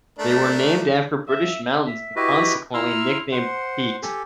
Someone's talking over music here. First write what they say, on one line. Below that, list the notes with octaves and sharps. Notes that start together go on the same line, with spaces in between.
They were named after British mountains, and consequently nicknamed Peaks.
A3 D4 A#4
E5
E5
E4 F#4 G4 B4 D#5 E5
E4 A#5 C6 E6 F6
C5 F#5 C6
G4 A4 G#5